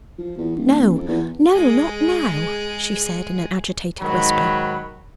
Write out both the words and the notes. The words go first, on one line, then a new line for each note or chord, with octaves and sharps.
"No no, not now!" she said in an agitated whisper.
F3
E2
D#1
F2
E2
G#3 G#4
G#2 D#3 F#3 B5